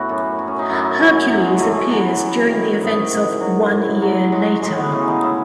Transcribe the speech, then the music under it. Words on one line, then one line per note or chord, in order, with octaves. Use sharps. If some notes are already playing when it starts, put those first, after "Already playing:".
Hercules appears during the events of "One Year Later".
Already playing: A2 B3 C#4 E4 F#4
F#2
F#2
C#4
D#4
F#2 E4
D#4
E3 C#4
C#4
F#2 F#3
G#3
F#2 A3
G#3
E3 F#3
E3
D#3
G#2
G#2
F#3
A2
F#3
F#3 G#3
F#3
A2 G#3
B3
C#3 C#4
D#4
E4